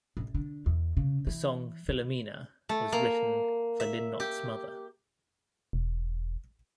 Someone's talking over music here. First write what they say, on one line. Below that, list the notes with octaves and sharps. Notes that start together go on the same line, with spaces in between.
The song "Philomena" was written for Lynott's mother.
A1
D3
E2
C#3
E3
D#3
A3
A#3
E5
G4
E1